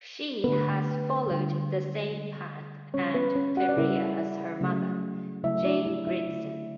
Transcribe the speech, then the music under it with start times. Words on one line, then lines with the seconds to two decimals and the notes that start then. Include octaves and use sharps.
She has followed the same path and career as her mother, Jane Grigson.
0.44 D3 A3 B3 B4
1.27 D3 G3
2.11 D3 G3
2.93 C#3 G3 C#4 C#5
3.14 B3 B4
3.35 C#4 C#5
3.57 F#4 F#5
3.69 D5
3.77 C#3 G3 E4 E5
4.61 C#3 F#3 A3
5.44 C#3 F#3 A3 E4 E5
5.65 D4 D5
5.86 E4 E5
6.07 E4 E5
6.27 D3 F#3 A3